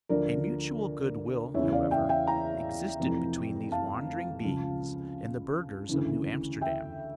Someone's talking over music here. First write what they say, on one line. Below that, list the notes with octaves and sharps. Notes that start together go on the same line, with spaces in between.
A mutual good-will, however, existed between these wandering beings and the burghers of New Amsterdam.
D2 D3 F3 A#4 D5
E2 C#3 E3 C#5 E5
D5 F5
E5 G5
E5 G5
G5 A#5
F1 F2 E3
F5 A5
C#2 C#3 F3
D2 C#3 E3
E5 G5